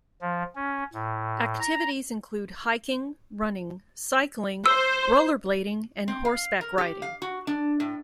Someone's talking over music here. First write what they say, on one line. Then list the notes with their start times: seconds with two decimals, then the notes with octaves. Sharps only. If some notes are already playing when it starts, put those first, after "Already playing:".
Activities include hiking, running, cycling, rollerblading, and horseback riding.
0.21 F3
0.56 C#4
0.94 A2
1.60 A#5
4.66 C5 E6
6.08 C4
6.25 F5
6.61 A#4
6.78 G4
7.02 F5
7.22 F#4
7.47 D4
7.80 A2